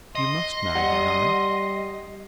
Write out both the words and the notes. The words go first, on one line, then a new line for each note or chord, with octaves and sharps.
"You must marry her, Harry."
D#5 C6
G3 F#5